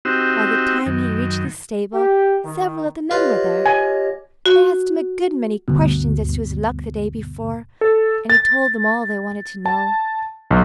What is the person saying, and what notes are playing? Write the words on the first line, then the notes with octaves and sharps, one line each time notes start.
By the time he reached the stable, several of the men were there. They asked him a good many questions as to his luck the day before, and he told them all they wanted to know.
C4 D#4 F#4 G4 E6
F#2 D#3
G4
D#3
F4 G4 B4 C#5 D#5
G#5
F#4
D2 G2 B2
A4
A6
A5
B1